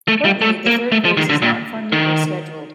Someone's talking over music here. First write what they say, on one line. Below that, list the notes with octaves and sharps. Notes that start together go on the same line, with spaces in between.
Currently, the third phase is not funded or scheduled.
A3
G3
A3
A#3
A3
F3
D#3
D3
A#2
D#3